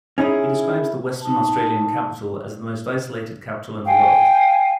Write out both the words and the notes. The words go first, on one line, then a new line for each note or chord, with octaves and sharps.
He describes the Western Australian capital as "the most isolated capital in the world".
C#4 D#4 E4 G4 G#4
D#4 A5
F5 G5 G#5